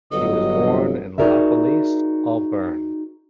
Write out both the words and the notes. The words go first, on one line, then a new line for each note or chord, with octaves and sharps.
He was born at Lapalisse, Auvergne.
G1 F#3 A4 D#5
D#4 F#4 G#4 A#4 D5 E5